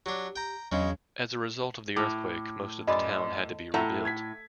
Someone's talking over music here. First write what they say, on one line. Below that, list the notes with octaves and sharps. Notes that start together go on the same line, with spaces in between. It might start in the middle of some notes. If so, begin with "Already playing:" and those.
As a result of the earthquake, most of the town had to be rebuilt.
F#3 D4 G4
G5 A#5
E2 C#3 E3 F#3 G#3 C#4 D4 D#5
A2 D6
F#2 G#4 B4 D5 D#5
A2 A3 E5 F#5 A#5
G#6 B6